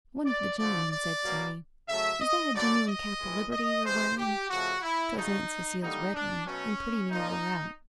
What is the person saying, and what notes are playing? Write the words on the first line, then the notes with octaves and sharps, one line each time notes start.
One of the gentlemen said to me, "Is that a genuine cap o' Liberty you're wearing?" 'Twas Aunt Cecile's red one, and pretty near wore out.
D5
D3 F3 A3 D5
D5
B2 F#3 A#3
C#3 F#3 A3 E5
D#5
D3 F#3 A3 D5
D#5
A2 E3 G#3
D#5
C3 E3 G#3 C5
G4
C#3 F3 A3 F#4
E4
C#3 F#3 A3 D#4
D3 G3 A#3 D#4
D4
B2 F#3 A3 C#4
A#2 F3 A#3 D#4